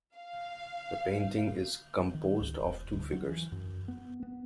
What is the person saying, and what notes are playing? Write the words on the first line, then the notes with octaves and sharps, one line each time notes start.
The painting is composed of two figures.
F5
D#3
C#2
E1
D2
F#3
E3
F#2
B3
B3